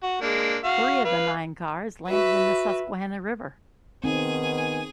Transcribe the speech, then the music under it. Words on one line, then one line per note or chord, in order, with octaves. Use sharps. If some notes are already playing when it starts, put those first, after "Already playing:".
Three of the nine cars landed in the Susquehanna River.
F#4
G#3 A#3 D4
F#4 F5
B4 F5
F#4 B4 E5
D#3 B3 C4 D#4 G#4 G#5